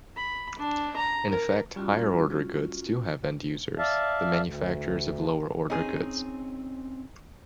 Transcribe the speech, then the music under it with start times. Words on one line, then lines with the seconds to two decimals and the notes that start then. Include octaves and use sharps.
In effect, higher-order goods do have end users, the manufacturers of lower-order goods.
0.17 B5
0.59 D4
0.97 A#5
1.31 A#4
1.76 G3 C#4 F4 F#4
3.78 D5 E5 F5 A5
4.43 D2
5.70 C4 C#4 D#4 G#4